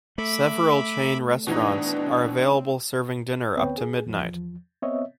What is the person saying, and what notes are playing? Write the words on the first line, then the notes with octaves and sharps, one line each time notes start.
Several chain restaurants are available serving dinner up to midnight.
A3 E5 B5 D6
B2 E3 C4 D4 D#4
D2 B3 C4 B4 C#5 G5
G#4
E2 F3
B3 C4 C#5 D#5 E5